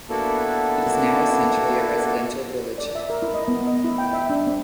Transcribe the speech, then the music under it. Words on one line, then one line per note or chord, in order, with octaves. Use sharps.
It is now essentially a residential village.
A#3 B3 D4 E4 F#4 A4
D5
E5
A#4
E4
D#5
B3
D#5
E4
G5
E5
D4
C4